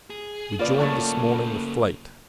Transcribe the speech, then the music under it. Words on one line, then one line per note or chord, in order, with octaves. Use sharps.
We joined, this morning, the fleet.
G#4
C#3 A#3 F4 B4 D5
F#3 A3 F4